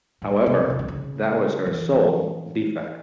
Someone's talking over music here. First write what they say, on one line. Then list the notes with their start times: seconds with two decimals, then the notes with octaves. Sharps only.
However, that was her sole "defect".
0.22 A2
0.46 C3
0.70 C#3
0.79 D3
0.88 C#3
1.66 E3